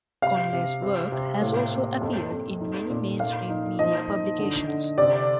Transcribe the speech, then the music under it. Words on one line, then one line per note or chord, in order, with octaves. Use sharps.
Conley's work has also appeared in many mainstream media publications.
C3 F5
C3
C3
C3
A2
A#3
F2
F2
D#4
A#2
A#3 F5
D#4
F3 D#5
D#4
D3
D3
C3 D5